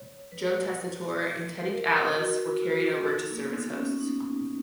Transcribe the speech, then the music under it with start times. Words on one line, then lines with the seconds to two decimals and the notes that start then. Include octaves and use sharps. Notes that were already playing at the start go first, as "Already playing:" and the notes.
Joe Tessitore and Teddy Atlas were carried over to serve as hosts.
Already playing: C#5
0.32 B4
1.24 B4
1.70 A#4
2.16 F#4
2.57 F#4
2.62 F4
3.08 D#4
3.31 A#3
3.39 B3
3.70 C#4
4.01 D#4